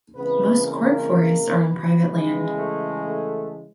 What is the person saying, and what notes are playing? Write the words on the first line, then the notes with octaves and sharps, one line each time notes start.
Most cork forests are on private land.
C#3 E3 G#3 B3 C4 B4
A#3 A#4
B3 B4
C#3 E3 G#3
A3 A4
A3 A4